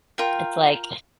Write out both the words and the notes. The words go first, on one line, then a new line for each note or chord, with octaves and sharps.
it's like
F4 A#4 G5